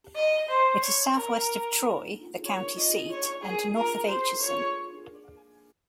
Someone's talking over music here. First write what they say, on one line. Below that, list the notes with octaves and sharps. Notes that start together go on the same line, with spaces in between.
It is southwest of Troy, the county seat, and north of Atchison.
D#5
C5
C#5
A#4
C#5
D#5
C#5
G#4
A#4
C5
C#5